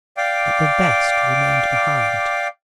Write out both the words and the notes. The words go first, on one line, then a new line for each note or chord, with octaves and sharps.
But the best remained behind.
D5 F5 G5 D6